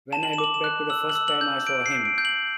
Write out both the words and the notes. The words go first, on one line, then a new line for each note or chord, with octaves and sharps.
When I look back to the first time I saw him!
A5 E7
F#7
D6 E7
F#7
E7
F#6
E6 F#7
F#7
E6
F#7
G6
G6 D7
C7
G6
D7
G6
F#7